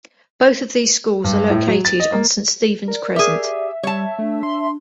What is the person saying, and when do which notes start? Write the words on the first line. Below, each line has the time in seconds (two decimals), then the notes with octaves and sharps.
Both of these schools are located on Saint Stephens Crescent.
1.24 G2
1.50 A2
1.67 F#3
1.85 A6
2.00 D#5
2.12 A#3
2.88 A#4 D5
3.16 G4 G#4 E5
3.83 G3 C#5 A5
4.19 A3 D4
4.43 C6